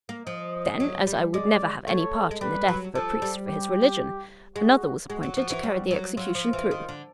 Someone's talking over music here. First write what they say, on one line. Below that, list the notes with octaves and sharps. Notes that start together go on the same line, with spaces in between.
Then, as I would never have any part in the death of a priest for his religion, another was appointed to carry the execution through.
A#3
F3 D#5
F#3
G3
G#3 D5
A3 C#5
G#3
G3 B4
F#3
F3 A4
G3
G4
G#3 F#4
G#3 F#4
F#3
F3
E3
G3
F#3
F#3 F4
F3
E3
D#3
D3